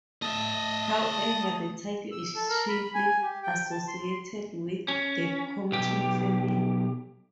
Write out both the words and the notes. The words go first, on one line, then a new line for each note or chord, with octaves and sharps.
However, the title is chiefly associated with the Compton family.
A3 D#5 E5 A5 D#6
E6
A4
A#4
B5
G#5
G4
G5
A5
C6
C#4
B1 G4